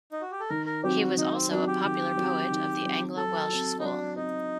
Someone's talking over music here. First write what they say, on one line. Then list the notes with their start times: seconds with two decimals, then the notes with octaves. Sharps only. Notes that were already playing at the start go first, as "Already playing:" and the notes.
He was also a popular poet of the Anglo-Welsh school.
0.12 D#4
0.21 F#4
0.31 G4
0.40 A4
0.50 D#3 A#4
0.66 A#4
0.83 F#3 C4 F#4 G4
0.99 F#4
1.17 D#3 D#4
1.33 C4
1.50 F#3 C4 D4 F#4
1.67 G4
1.84 D#3
2.16 F#3 C4 F#4
2.50 D#3
2.84 F#3 C4 F#4
3.16 F#3 A4
3.49 C4 F#4
3.79 D#4
3.83 F#3 D4
4.16 C4 D#4 F#4